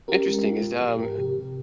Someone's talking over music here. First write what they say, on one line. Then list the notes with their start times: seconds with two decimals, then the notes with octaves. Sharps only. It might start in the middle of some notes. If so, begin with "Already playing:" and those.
Interesting, is, um,
0.08 C#4 G4 A#4
0.26 G#3
0.44 F4
0.63 A#2
0.81 F3 G4
0.99 G#2 G4 A#4
1.17 C3 G4
1.36 C3